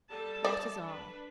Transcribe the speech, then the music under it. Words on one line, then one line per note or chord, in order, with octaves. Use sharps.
That is all.
G3 A4 A5
D5
D4 B4